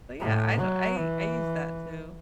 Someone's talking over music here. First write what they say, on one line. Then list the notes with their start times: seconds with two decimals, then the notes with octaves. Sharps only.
But, yeah, I d I I used that too.
0.20 A2
0.59 F#3
0.98 E3